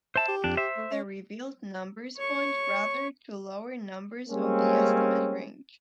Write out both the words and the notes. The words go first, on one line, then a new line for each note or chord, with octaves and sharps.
The revealed numbers point rather to lower numbers of the estimate range.
C5 E5 A5
G4
F2 D4
C5 E5
A3
C#4
C#5 C#6
G3 G#3 A#3 C4 C#4